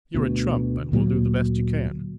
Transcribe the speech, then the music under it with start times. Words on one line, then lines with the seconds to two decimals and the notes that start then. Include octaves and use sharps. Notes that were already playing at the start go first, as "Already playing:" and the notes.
You're a trump; and will do the best you can.
0.14 D2 B2
0.92 D2 A#2 F#3 A#3